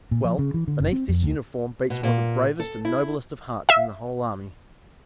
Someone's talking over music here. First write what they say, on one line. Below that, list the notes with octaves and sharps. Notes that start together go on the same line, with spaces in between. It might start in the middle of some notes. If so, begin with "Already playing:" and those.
"Well, beneath this uniform beats one of the bravest and noblest hearts in the whole army."
A#2
F3
C#3
E3
D3
F#1
C4
F2
D2
B2
A#2
A4
E4
E5 F5